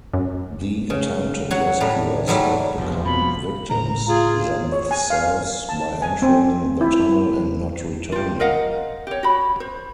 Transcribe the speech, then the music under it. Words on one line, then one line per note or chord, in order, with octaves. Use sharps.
The attempted rescuers had become victims themselves by entering the tunnel and not returning.
F#2
C#3
F#3 C#5 F#5
A2 G3 A3 A#5
G#2 F#3 G3 A3
F1 A#1 B2 F3
B2 B5
A2 A#5
F4 G#4
C#5
G#5
F5
A5
G#5
C4
E4
F4 G4
A#4 D#5 F5 F#5
G4 C#5
F#4 B5
C5